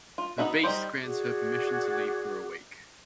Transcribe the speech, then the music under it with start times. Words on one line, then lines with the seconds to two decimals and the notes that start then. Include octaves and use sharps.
The Beast grants her permission to leave for a week.
0.18 F4
0.38 B3 D#4 F#4 E5
0.63 G3 D#4 G4 C5
1.02 F#4 G#4 D5 D6